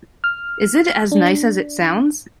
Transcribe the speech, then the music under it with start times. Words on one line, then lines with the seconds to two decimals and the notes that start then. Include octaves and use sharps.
Is it as nice as it sounds?
0.24 F6
1.12 D4